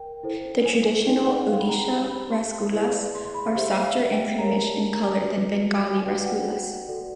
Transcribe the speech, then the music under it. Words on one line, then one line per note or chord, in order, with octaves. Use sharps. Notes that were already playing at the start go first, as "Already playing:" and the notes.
The traditional Odisha rasgullas are softer and creamish in colour than Bengali rasgullas.
Already playing: A#4 G5
E4 A4 C5
G#5
G#5
D#4 G#4 B4 D5 G5
G5
F#5
F5
B5
A#5
G4 C5 B5
B5
C6
E4 G#4 B4 D5
C6
C6
B5
F5
G4 C5 E5
F5
F5
F#5
G5
G4 A#4 C#5 A#5
G#5
A5
A5
A#5
A5
F#4 B4 D5
G#5
F#4 B4 D5 G5
F#5
F#4 A4 D5